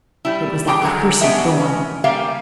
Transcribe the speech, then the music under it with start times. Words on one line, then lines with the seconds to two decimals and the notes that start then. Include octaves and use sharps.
"It was that cursed Thorn."
0.25 G3 E4
0.67 G4 G#4 G5
0.82 D3 F#3 G#3 A#5
1.21 B3 C#4 D4 G4 D#5 E5
1.60 C#4
2.04 G3 A#3 G4 E5 F5